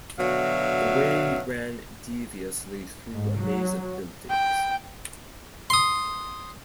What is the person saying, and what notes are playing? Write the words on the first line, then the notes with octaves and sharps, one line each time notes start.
The way ran deviously through a maze of buildings.
B2 D3 F#3 E5 F5
G#2
F#3
G5
C6 D#6